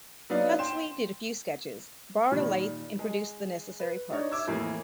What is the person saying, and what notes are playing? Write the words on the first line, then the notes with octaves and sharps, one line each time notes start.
Huxley did a few sketches, borrowed a lathe and produced the necessary parts.
F#3 B3 D#4 D5 F5
G5 C6 E7
A#2 D#3 G3
G#3
B4
D4 D#4 C#5
E5 D6 E6 G#6
F2 A2 E3 A#3